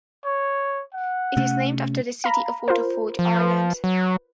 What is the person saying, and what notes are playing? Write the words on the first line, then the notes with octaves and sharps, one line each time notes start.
It is named after the city of Waterford, Ireland.
C#5
F#5
C3 A3 C#4
F5 A#5 B5
F4 A#4 C5
F3
B4
F#3